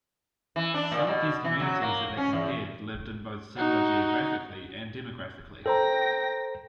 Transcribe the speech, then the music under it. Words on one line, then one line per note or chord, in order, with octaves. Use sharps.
Some of these communities that they compared lived in both similar geographically and demographically.
E3
D4
A#2
B2
E3
F#3
A#3
C#4
E2
D#4 F#4
A4 C5 G5 A#5 A#6